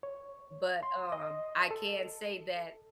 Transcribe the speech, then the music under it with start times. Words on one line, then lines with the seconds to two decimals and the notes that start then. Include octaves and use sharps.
but, um, I can say that,
0.03 C#5
0.83 C6
1.12 D#5
1.71 A4